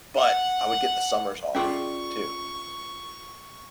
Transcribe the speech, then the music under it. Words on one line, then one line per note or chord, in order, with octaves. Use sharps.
but I would get the summers off, too.
F#5
C#4 F4 G#4 D5 E5 C#6